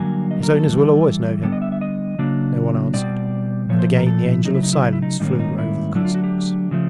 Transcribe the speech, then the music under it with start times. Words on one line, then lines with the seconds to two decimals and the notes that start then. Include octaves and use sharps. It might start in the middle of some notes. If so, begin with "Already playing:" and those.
His owners will always know him!' No one answered, and again the Angel of Silence flew over the Cossacks.
Already playing: G2 D3 F#3 A#3 G#5
0.31 D#5
0.43 A#4
0.55 A4
0.68 G2 E3 G3
1.43 D3 G3 B3 A4
1.52 D#5
1.62 E5
1.72 E5
1.81 D#5
2.19 C#3 F#3 A#3 D4
2.94 B2 G3 C4 D5
3.69 A#2 F3 A3 C#5
3.79 C5
3.98 A#4
4.07 A4
4.26 E4
4.44 C#3 F#3 A3 D#4
4.54 E4
4.63 D#4
4.73 E4
4.83 D#4
4.93 E4
5.02 D#4
5.20 G#2 D#3 G3 A#3 C#4 D#4
5.40 D#4
5.58 E4
5.95 D3 F#3 A3 D4 E4
6.05 F4
6.14 F#4
6.24 G4
6.71 C#3 F3 A3